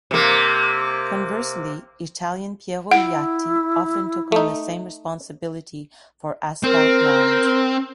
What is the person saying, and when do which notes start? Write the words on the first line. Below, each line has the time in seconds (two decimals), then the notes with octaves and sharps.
Conversely, Italian Piero Liatti often took on the same responsibility for asphalt rounds.
0.11 C3 A#3
2.91 E4 F#5
4.32 A3 D#4
6.64 C4 A#4